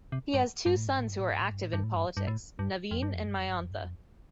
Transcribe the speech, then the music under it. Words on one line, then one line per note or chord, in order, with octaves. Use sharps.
He has two sons, who are active in politics, Navin and Mayantha.
C3
G2
G2
A2
G2
A2
G2
A2
G2
A2
G2
A2
G2
A2
G2
G2
A2
G2
F2
G2
F2
G2
F2
G2
F2
G2
F2